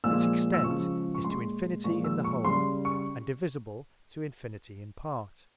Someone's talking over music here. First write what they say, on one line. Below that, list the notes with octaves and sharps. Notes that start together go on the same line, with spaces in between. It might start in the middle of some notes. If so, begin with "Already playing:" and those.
It's Extent is to Infinity, in the Whole; and divisible to Infinity in part.
A#2 F3 G#3 E6
E6
C#3 F3 G#3 C#6
C#6
A#2 G#3 C6
A#2 F3 G#3 C#6
E6
C#6
C#3 G3 C6
C#6